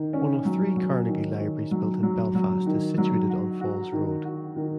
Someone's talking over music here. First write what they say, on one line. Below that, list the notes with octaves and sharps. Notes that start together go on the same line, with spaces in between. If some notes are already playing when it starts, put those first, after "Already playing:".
One of three Carnegie libraries built in Belfast is situated on Falls Road.
Already playing: D#3
C#4
F#3
F#3
D#3
D#3
F#3
F#3
F#3
D#3
F#3
F#4
F#4
D#3
F#4
D#3